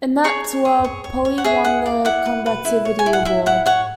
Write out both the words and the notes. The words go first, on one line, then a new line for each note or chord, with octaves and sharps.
In that Tour, Poli won the Combativity award.
G#4 C#5 C#6
C#5
G#4
C#5
C#5
C#5
F#5
G#4 E5
E4 F#5
D5
E4 F#5
B4
B4
E4
C#5
G#5
E4
F#5
E4 E5
E4 F#5
C#5 F#5